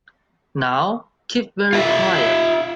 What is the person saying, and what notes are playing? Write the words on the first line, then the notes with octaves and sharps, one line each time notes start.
Now keep very quiet.
F4 E5